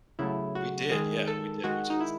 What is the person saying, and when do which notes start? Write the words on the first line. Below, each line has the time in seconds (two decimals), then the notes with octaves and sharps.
We did, yeah, we did, which is
0.19 C#3 F#3 A3 E4
0.55 F#4
0.91 D#3 G#3 G#4
1.28 A4
1.64 D#3 G#3 F#4
1.90 D#4
2.00 E4